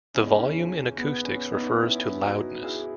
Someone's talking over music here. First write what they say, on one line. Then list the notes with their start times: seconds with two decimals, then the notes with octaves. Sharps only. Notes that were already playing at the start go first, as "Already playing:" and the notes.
The volume in acoustics refers to loudness.
0.14 E2 C#3 E3 C#4
0.27 D#4
0.39 C#4
0.98 B3
1.25 C#4
1.53 B3 D#4
1.81 C#4 E4
2.22 D#4 F#4
2.63 E4 G#4